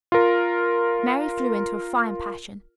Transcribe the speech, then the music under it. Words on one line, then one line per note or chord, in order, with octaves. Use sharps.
Mary flew into a fine passion.
F4 A#4